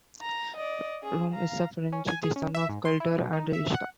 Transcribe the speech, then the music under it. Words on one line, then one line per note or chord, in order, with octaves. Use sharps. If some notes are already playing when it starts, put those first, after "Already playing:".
Rom is a Ferengi, the son of Keldar and Ishka.
A#5
D5 D#5
C#4 G#4
F5 A#5
C#4
G#5
G#4
C#4
E5
G#2
C6
E4
B2
D#4
E5
F#5